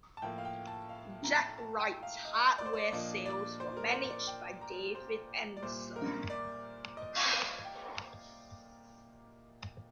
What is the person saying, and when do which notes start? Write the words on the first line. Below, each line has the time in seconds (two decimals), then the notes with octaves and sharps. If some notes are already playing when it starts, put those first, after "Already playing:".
Jacq-Rite's hardware sales were managed by David Ensor.
0.17 A5
0.22 A2 F3 A#3 G5
0.38 F5
0.45 G5
0.67 A5
0.89 F5
1.23 A#5
1.58 A5
1.80 G5
2.03 F5
2.25 D#5
2.58 D5
2.66 C5
2.73 D5
2.92 A#2 F3 A#3 D4 D#5
3.26 D5
3.60 C5
3.77 A#4
3.93 C5
4.10 D5
4.27 G5
4.61 A#5
4.95 C5
5.57 D5
5.62 C2 A#2 G3 C5
5.96 A#4
6.30 D5
6.97 D#5
7.31 F5
7.65 G5